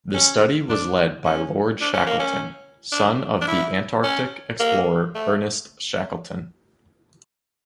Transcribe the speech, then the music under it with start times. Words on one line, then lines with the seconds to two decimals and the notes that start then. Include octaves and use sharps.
The study was led by Lord Shackleton, son of the Antarctic explorer, Ernest Shackleton.
0.14 C#4
0.70 D4
1.25 C#4
1.81 D4
1.94 C#4
2.07 A#3
2.19 C#4
2.92 D4
3.42 D4
3.48 E4
4.04 C#4
4.60 A#3
5.15 A3